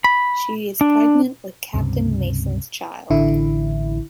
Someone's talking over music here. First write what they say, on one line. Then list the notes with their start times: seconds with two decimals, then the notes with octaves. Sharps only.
She is pregnant with Captain Mason's child.
0.04 B5
0.81 D4
1.74 C#2 G2 C3
3.10 A1 D3 E4